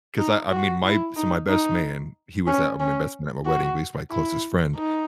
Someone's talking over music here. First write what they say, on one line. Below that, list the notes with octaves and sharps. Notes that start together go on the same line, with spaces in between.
'Cause I I mean, my so, my best man, he was at my best man at my wedding, but he's my closest friend.
D#4
F#4
E4
D#4
D#4
C#4
C#4
F#4
E4
D#4